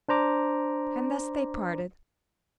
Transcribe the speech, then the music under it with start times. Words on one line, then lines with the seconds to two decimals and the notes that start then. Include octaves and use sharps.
And thus they parted.
0.09 D4 C5 A#5 D6